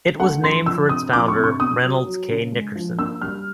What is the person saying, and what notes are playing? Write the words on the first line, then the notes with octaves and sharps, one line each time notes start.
It was named for its founder, Reynolds K. Nickerson.
A3 F#5
F3 C6
F3 E6
C3 D#6
F3 D6
C#6
C3
C#6
B3 D#6
F#3
F#3
C#3
G#3
F3
A#3 E6
G3 F6